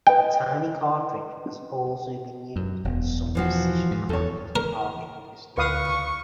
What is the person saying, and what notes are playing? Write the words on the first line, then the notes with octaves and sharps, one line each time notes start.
The tiny cartridge has also been used in some precision crafted target pistols.
B4 D#5 G5
F#2
E1 B2
E3 F3 F#4
G#2
E2 A4 C#5
A#4
D2 B4 F5 C#6 D#6